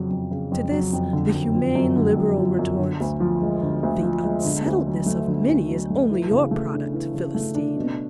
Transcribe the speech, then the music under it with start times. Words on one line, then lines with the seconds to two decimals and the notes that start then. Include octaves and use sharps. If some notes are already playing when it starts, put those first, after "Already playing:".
To this the humane liberal retorts: The unsettledness of many is only your product, Philistine!
Already playing: F2 C#3 F#3
0.11 F2
0.31 C#3
0.52 F2
0.71 F#3
0.93 F2
1.13 D3
1.34 F#2
1.54 F3
1.75 F#2
1.96 D3
2.17 F#2
2.38 F3
2.59 F#2
2.79 D3
3.00 D2
3.20 F3
3.42 G#3
3.63 D3
3.83 D2
4.03 F3
4.24 G#3
4.44 D3
4.66 D2
4.87 F#3
5.06 A3
5.27 D3
5.48 D2
5.69 F#3
5.90 A3
6.11 E3
6.31 C#3
6.51 A3
6.73 D4
6.93 E3
7.14 C#3
7.35 A3
7.55 D4
7.76 B2